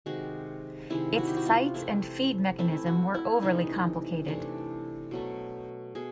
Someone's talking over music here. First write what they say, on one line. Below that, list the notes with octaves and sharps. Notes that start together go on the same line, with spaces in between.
Its sights and feed mechanism were overly complicated.
C3 D#3 G#3 F#4
C3 D#3 G#3 E4
F#4
G4
F#4
F4
E3 A3 C4 E4
E3 A3 C4 E4
F#4
E4
C3 E3 A3 D4 D#4
C3 E3 A3 D4
B2 F#3 A3
B2 G#4